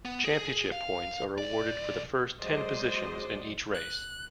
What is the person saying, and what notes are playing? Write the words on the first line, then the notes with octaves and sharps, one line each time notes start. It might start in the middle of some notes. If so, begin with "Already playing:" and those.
Championship points are awarded for the first ten positions in each race.
B3
G#4
F5
B1 D5
F#3 G#3 C5 D5 D#5
F#6